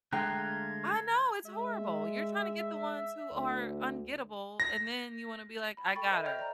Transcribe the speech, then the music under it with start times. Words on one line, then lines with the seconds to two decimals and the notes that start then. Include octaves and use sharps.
I know it's horrible, you're tryna get the ones who are ungettable and then you wanna be like, "I got her."
0.13 D3 G#3 A3 F5 G5 A#5 F#6 G#6
1.46 G#3 E5
3.33 D2
4.60 A#6
5.77 B5
5.95 A4 G5 B5 C#6 A6
6.10 A4 C5 D#5 E5
6.26 D#5 G5 F6 G6 F7
6.39 D5 D#5 A#5